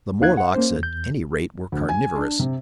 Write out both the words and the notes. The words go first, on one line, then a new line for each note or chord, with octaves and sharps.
The Morlocks at any rate were carnivorous!
D#2 A#3 D#4 F5 F#6 G#6
F#5
A#3 C#4 C5
E2 G6
D2
G#5
D4
C3